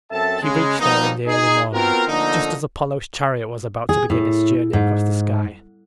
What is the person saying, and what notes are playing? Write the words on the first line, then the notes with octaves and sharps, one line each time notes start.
He reached there in the early morning, just as Apollo's chariot was about to begin its journey across the sky.
F#2 C4 A4 E5 A5
C#3 G#3
F3 G3 A#3 B3 D#4
D#4 G#4
B3 C4 F4 F#4 A#4
D3 F3 A3 A#3 D#4
G#4
A2
G#2